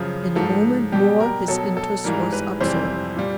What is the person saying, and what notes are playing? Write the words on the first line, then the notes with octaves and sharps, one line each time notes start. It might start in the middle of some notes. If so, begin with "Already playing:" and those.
In a moment more his interest was absorbed.
Already playing: F#2 C#3 F3
G#2 F3 A4
B2 G3 G4
A#4
B2 F#3 A4
A4
G#2 E3 G3 A#4
B4
F2 C3 E3 G3 C5
A#2 G3